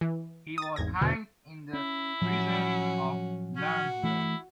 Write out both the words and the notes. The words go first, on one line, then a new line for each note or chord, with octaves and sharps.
He was hanged in the prison of Landsberg.
E3
D#6 A6
G#1 E2 G#6 A#6
E2 B2 D3 F3
C#4 E4
A2 F3 F#3 C#4 F#4
C#4 F#4 F#5
E3 A3 E4